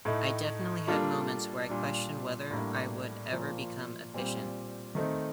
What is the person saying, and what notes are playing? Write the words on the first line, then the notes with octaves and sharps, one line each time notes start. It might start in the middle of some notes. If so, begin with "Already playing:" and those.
I definitely had moments where I questioned whether I would ever become efficient.
A2 A3 D#4
G3 A#3 D4 F4 A4
A#2 G3 D4
A2 G3 A#3 D4
A#2 F3 A#3
A#2 G3 C4 G4
D#3 A3 C4 D#4